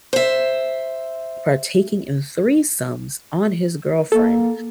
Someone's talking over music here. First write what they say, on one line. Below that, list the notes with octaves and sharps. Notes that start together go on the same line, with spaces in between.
partaking in threesomes on his girlfriend,
C5 E5
A#3 A4